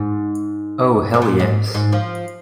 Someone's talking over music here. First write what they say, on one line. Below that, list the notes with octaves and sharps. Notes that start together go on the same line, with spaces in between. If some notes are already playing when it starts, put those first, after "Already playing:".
Oh hell yes.
Already playing: G#2
C3
A#2
G#2
G#2
F3